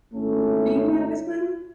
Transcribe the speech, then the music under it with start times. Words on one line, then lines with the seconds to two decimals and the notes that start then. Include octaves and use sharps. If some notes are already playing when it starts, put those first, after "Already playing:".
Do you know how to swim?
0.14 G#1 A3 C#4 E4 A4